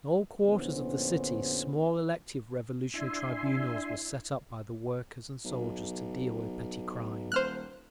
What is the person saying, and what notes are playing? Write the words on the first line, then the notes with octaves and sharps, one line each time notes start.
In all quarters of the city small elective Revolutionary Tribunals were set up by the workers and soldiers to deal with petty crime....
A#1 D3 B3 C#4 E4 C5
D4 E4 E5 G#5 C6
B1
D#1 C5 F6 F#6